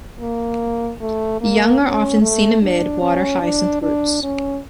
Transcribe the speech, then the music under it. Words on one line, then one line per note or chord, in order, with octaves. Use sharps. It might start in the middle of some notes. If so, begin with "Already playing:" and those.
Young are often seen amid water hyacinth roots.
A#3
A3
A#3
C#4
A3
D4
C#4
D4
D4
C#4